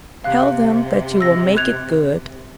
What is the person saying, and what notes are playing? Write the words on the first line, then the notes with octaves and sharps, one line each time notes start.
Tell them that you will make it good.
C3 F5 F#6
E6 A#6
F#6 G#6 F7